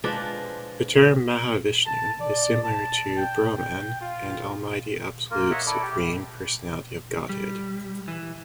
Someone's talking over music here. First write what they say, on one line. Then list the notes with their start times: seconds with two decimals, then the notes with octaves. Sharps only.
The term Mahavishnu is similar to Brahman and Almighty Absolute Supreme Personality of Godhead.
0.04 F3 G#3 D4 B4
1.86 A5
2.20 D5
2.64 A5
3.17 G5
3.57 G5
4.01 F4
5.31 A#3 F4 A#4
5.51 C#5 D#5 E5 F#5
5.66 E4 A4 D5
5.82 G4
7.29 G3
8.08 E3